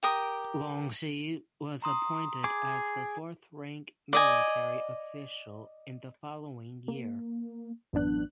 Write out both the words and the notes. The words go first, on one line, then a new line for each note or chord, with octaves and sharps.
Longxi was appointed as the fourth rank military official in the following year.
G4 A#4 D#6
A#5 C6 D#6
G#4 D6
D5 D#5 G#5
A#3
A1 F#2 B3 D4 F#6